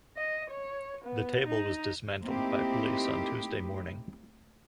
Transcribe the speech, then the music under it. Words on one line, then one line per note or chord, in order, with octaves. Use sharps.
The table was dismantled by police on Tuesday morning.
D#5
C#5
B3
D#4
A3 A#3 C4 D#4 E4 G4